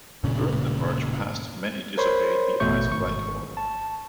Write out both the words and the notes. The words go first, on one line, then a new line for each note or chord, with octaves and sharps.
During the march-past, many disobeyed the "eyes right" order.
E1 G2 A#2 C#3
A#4 C5 C#5 B5 C6
A1 F#2 B2 A3 C#6 G6
G#1 C#6
A5